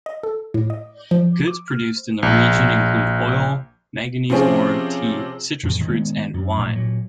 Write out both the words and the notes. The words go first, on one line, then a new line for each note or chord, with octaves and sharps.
Goods produced in the region include oil, manganese ore, tea, citrus fruits, and wine.
D#5
A4
A2
D#5
F3
D6
F6
A#1
C3 F3 C4 C#4 G#4
F2 A2 E3
D#3 G#3 B3
F#2
A#1 A2 A3
A#2 F#3